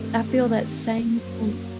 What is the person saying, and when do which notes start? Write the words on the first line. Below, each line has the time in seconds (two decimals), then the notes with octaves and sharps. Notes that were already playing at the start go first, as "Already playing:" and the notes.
I feel that same thin
Already playing: G2 D#3 A3 C4
0.16 G4
0.64 G4
1.11 F#2 F#3 A#3 C5